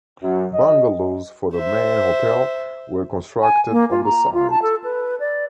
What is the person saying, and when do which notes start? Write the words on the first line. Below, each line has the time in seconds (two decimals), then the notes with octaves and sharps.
Bungalows for the main hotel were constructed on the site.
0.23 F#2
0.54 D#5
1.55 C5 E5
3.42 G#5
3.71 A#3
3.91 F4
4.04 A#5
4.34 F4
4.50 A5
4.62 A4
4.84 B4
5.20 D5